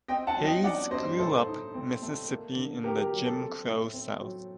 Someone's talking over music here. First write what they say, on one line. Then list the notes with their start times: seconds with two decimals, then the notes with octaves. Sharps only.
Hayes grew up Mississippi in the Jim Crow south.
0.08 C4 D#5 G5
0.27 F#5 A5
0.36 F#3
0.45 D#5 G5
0.64 D#4 D5 F#5
0.91 G2 C5 D#5
1.19 A2 A4 C5
1.46 D#4
1.74 C4
2.02 A3
2.28 A#3
2.56 D3
2.84 A#3 G4 A#4
2.97 G4 A#4
3.11 F#3
3.25 A4
3.39 C4
3.66 A2
3.93 C4
4.21 F#3